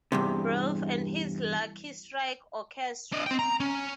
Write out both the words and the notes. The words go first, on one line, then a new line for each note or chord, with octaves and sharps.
Rolfe and his Lucky Strike Orchestra.
E2 G2 C3
D4 D#5
C4 G5
A#5
C#4